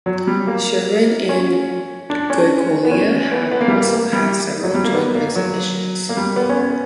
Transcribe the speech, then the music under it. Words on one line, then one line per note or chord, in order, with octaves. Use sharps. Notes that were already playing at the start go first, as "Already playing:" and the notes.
Sherman and Goicolea have also had several joint exhibitions.
F#3
G3
A#3
C#4
D4
C#4
B3
C#4
B3
B3
A#3
G3
A#3
G3
F#3
G3
A#3
B3
A#3
F#3
A#3
G3
B3
C#4
B3
B3